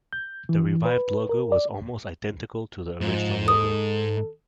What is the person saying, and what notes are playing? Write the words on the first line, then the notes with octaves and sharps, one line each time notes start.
The revived logo was almost identical to the original logo.
G6
E3
B4
A#4
D5
G#2 F3
A4 D#6